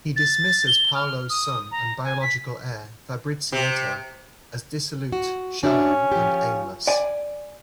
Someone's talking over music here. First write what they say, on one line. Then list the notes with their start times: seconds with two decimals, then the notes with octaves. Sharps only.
He dismisses Paolo's son and biological heir, Fabrizietto as dissolute, shallow, and aimless.
0.16 A6
0.67 G7
0.94 F6
1.30 D#6
1.71 A#5
2.04 G#5
2.22 B6
3.52 C3
5.12 F#4
5.64 C#4 D4 F#4 E5
6.12 F3 G4
6.87 D5 G#5